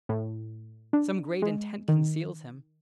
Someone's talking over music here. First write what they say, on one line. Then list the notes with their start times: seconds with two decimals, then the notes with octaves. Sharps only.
Some great intent Conceals him.
0.09 A2
0.93 D4
1.42 G#3
1.89 D#3